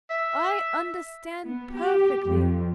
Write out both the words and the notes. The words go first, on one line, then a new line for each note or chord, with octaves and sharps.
I understand perfectly.
E5
B3
G4
F2